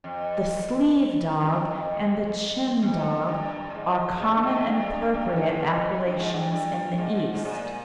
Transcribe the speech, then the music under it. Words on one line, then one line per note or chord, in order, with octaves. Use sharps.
The "sleeve dog" and the "chin dog" are common and appropriate appellations in the East.
F2
G2
F2
F2
F2
G2
A#2
G#2
A#2
G#2
G2
G#2
G2
G2
F2
G2
G#2
F2
G2
G#2
G2
G2
G#2
G#2
A#2